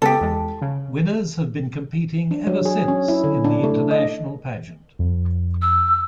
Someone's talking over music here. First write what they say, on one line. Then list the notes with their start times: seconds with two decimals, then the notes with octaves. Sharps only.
Winners have been competing ever since in the international pageant.
0.02 C#3 G#3 B3 G4 A4
0.21 E2 G#3
0.62 C#3
2.31 D4
2.47 F#3
2.65 G#4
2.88 C#4
3.08 E4
3.24 D3
3.44 D4
3.63 A3
3.91 D#5
4.99 F2
5.62 E6